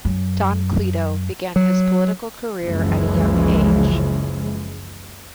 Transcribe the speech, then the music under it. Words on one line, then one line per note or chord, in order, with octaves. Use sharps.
"Don Cleto" began his political career at a young age.
F#2
F#3
F#1 C#2 C#3 E3 F3 G#3